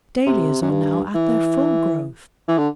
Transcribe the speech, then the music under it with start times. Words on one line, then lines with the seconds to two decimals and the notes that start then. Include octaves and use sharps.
Dahlias are now at their full growth.
0.26 C3
0.62 F#2
0.70 G2
1.15 E3
2.48 E3
2.58 D3